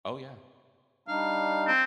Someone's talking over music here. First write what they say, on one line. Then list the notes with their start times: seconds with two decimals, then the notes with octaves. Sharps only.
Oh yeah.
1.08 G3 D4 D#4 F5
1.67 C4